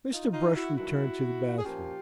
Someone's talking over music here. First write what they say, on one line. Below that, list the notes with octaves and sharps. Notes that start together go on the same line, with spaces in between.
Mr. Brush returned to the bathroom.
D#4 F4
D#4 F4
E4 F#4
G2 D#3 F#3 E4 F#4
G#4
A#2 F3 A#3 C#4 F4 G4